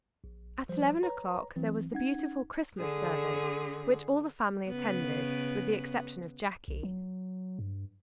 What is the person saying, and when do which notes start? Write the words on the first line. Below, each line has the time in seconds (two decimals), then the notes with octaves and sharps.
At eleven o'clock there was the beautiful Christmas service, which all the family attended, with the exception of Jackie.
0.24 A#1
0.69 F3 G3 C5
1.03 B4 C#5 A#5
1.56 E3 F#3 C4
1.92 C#4 D#4 F#5 G#6
2.79 D3 G#4
4.68 C#3 B3
6.68 B1
6.83 F#3
7.59 G2